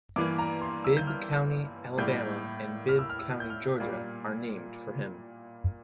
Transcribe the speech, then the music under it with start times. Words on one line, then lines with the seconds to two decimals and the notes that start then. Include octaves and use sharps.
Bibb County, Alabama, and Bibb County, Georgia, are named for him.
0.16 G2 E3 A#3 D6
0.38 A#5
0.61 C6
0.84 E6
0.97 G6
1.07 F6
1.98 A2 G3 A#3 G6
2.89 F6
2.99 E6
3.10 F6
3.19 E6
3.40 G6
3.50 F6
3.80 A#2 G3 A#3